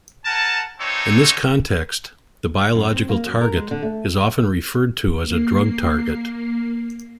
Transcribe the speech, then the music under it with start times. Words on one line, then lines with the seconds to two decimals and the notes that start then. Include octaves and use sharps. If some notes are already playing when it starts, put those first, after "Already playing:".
In this context, the biological target is often referred to as a drug target.
0.25 A#4 F#5 G#5 A5
0.80 A3 A#3 C4 D#4 A4 C#5
2.75 F#2
2.91 C4
3.09 A#3
3.26 F#2
3.41 A#4
3.56 G#3
3.71 D3
3.83 A3
5.25 A#3 C7